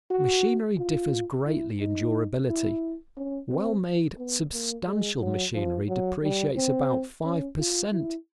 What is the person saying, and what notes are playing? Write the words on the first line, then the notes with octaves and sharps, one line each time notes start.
Machinery differs greatly in durability; well-made, substantial machinery depreciates about five per cent.
F#4
F4
E4
D#4
E4
C#4
C4
B3
A#3
G#3
F#3
F3
F#3
G3
C4
C#4
F4
E4